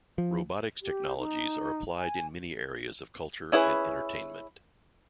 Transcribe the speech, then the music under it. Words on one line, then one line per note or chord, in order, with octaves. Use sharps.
Robotics technologies are applied in many areas of culture and entertainment.
F3
G4
D#4
G#5
C#4 E4 G#4 B4